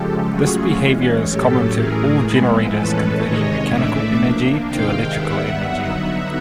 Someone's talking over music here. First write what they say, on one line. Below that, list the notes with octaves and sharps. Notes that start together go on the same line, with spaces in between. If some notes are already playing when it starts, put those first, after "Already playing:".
This behavior is common to all generators converting mechanical energy to electrical energy.
Already playing: C#3 F3 G#3 G4 A4
F#3 A3 C#4 F4 F#4 G#4
E3 G#3 C#4
A2 F#3 A3 C#4 G4 A4
A2 E3 A3 G#4 A#4
F3 G#3 B3 E4
A2 E3 G#3 C#4 A4 B4
C3 D#3 G#3 C#5 D#5
A2 E3 A3 D4 D5 E5
F3 A#3 D4
C3 D#3 G#3 F5 G5
D#3 G3 B3 E5 F#5
D3 F#3 B3 D#4 E5 F#5